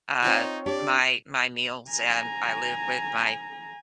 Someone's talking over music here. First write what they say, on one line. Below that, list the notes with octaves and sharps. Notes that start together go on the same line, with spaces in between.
uh, my my meals, and I live with my
C4 D#4 F4 C#5 C#6
D4 G4 D5
G#5 A#5